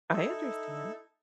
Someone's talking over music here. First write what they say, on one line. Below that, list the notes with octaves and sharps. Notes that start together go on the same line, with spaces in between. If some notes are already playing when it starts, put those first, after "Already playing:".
I understand.
D#4 E4 A4